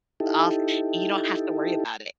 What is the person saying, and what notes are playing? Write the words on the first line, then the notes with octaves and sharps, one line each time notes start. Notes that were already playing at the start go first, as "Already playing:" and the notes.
off, and you don't have to worry about it.
D#4 E4 G4 A4